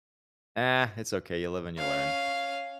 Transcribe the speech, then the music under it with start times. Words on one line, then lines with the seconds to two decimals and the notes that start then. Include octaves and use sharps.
Ah, it's okay, you live and you learn.
1.78 C#4 F5